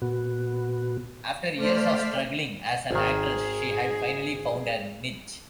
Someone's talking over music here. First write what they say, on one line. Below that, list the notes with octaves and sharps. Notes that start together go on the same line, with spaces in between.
After years of struggling as an actress, she had finally found her niche.
A#2 B3 F#4
A3 C5 D5 F6 B6
G#1 D#3 G#4